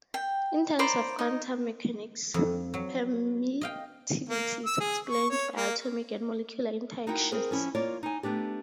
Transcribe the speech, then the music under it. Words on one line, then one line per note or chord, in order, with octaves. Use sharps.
In terms of quantum mechanics, permittivity is explained by atomic and molecular interactions.
G5
C5 D5 A#5 B5
D#4
F2
F#3
D#5 F5 G5
A#3
E6
G#4
C#6
C#5
A#3
D#4 E4 F#4 A#4 F#5 G5
C4 E4 G#4 A#4 C5
F3 C#4 E4
A#3 F4 C#5 D5
D#4 G#5
A3 B3 D4 G4